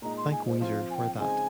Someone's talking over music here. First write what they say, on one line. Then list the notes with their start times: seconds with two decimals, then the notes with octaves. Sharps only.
Thank Weezer for that.
0.02 A#2 G#3 D#4 A#5
0.17 C6
0.32 G#5
0.46 C5
0.61 F3 C4 F4 F5
0.90 G#5
0.95 G5
1.19 C#3 G#3 C4 D#4 G#5